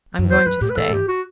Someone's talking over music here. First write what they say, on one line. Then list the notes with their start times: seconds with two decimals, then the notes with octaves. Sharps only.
"I'm going to stay."
0.18 F#2
0.30 E2 C5
0.46 F#2 B4
0.61 A2 G4
0.70 B4
0.77 A2 A4
0.88 A2
0.93 G2 G4
1.08 F#4